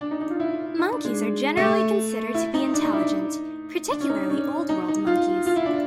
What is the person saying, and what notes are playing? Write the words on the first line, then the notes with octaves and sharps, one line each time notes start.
Monkeys are generally considered to be intelligent, particularly Old World monkeys.
D4
D#4
D#4
F4
E4
D#4
D4
G#3
A3
E4
D#4
D4
D#4
E4
D#4
D4
C#4
D#4
D4
C#4
D#4
D#4
F4
F4
E4
D4